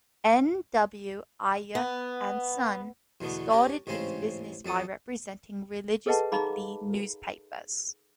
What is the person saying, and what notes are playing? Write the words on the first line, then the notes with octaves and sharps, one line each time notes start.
N. W. Ayer and Son started its business by representing religious weekly newspapers.
B3
E2 B2 D3 A3 B3
C#4 D4 G4 A#4
A1 G#2 C#3 C4 C#4 C5
F2 F#3 A4 D#6
G#4 A4 B4 D#5 F#5 A5
D#4 G#4 F5 A#5 B5 D6